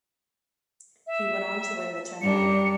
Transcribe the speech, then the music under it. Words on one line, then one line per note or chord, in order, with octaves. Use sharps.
He went on to win the tournament.
E5
F#2 G3 D4 A#4 C#7